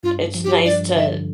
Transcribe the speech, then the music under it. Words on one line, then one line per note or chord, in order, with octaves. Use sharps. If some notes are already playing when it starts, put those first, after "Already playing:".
It's nice to
G2 F4
F3
G4
G2 D5
D3 E5